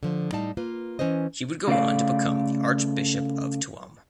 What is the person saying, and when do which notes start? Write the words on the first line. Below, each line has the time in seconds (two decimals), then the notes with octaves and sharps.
He would go on to become the Archbishop of Tuam.
0.03 D3 F3
0.32 A2 G3 D#4 D5 F5 A5
0.57 A#3 F4 B4
0.99 E3 C#4 B4 C5 D#5
1.68 C#3 A3 D5 F5